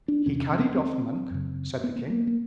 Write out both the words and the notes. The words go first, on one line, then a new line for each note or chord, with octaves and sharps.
"He carried off Monk?" said the king.
D4
E2 C3 C#4
C#4
C4
B3
C4
F#2 C#3
B3
B3
A#3
A#3